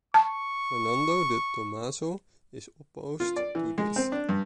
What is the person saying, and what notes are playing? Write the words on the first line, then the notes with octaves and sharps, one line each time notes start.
Fernando de Tomaso is opposed to this.
A5 C#6
F4
D5
E3
G#3
C4
D4
G2